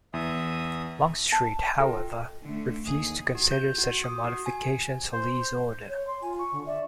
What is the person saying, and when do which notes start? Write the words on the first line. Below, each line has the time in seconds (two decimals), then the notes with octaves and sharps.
Longstreet, however, refused to consider such a modification to Lee's order.
0.14 E2 E5 D#6
1.32 A5
1.79 F4 A4 D#5 G5
2.43 D3 A3
2.86 D#2 G#4
3.35 F#4
3.51 G6
3.78 F#4
4.04 D#6
4.24 F#4
4.46 G#5
5.13 C5
5.89 C#5
6.07 C6
6.22 F4 G#5
6.39 C#6
6.52 D3
6.66 D5 E5